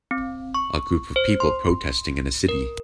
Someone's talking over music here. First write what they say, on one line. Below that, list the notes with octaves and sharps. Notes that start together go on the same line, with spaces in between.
A group of people protesting in a city.
C4
C#6
C5
C6
A#4